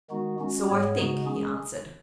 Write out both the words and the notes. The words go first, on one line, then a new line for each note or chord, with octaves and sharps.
'So I think,' he answered.
D#3 G#3 B3 D#4 F#4
G#3 C#4 F#4
G#2 G#3 B3 G#4 C#5
C#3 G#3 B3 D#4 F#4
G#3 C#4 G#4